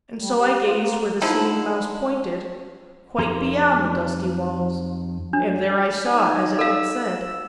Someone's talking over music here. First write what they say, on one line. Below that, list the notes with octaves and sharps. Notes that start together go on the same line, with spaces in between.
And so I gazed where the Singing Mouse pointed, quite beyond the dusty walls, and there I saw as it had said.
G3
G4
F4
A#3
D3 F3 D#4 E4
F2 D#4 G4 A#5 C6
F#3 D4
G3
D#4 G#5
A4 F5 E6